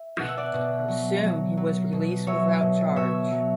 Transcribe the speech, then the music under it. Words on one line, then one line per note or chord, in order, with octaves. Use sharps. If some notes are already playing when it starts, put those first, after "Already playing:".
Soon he was released without charge.
Already playing: E5
B2 F#5
E5
D5 F#5
B2
F#3
F#3
F#3
B2
F#3 C#5 E5
B2
B2 C#5 E5
F#3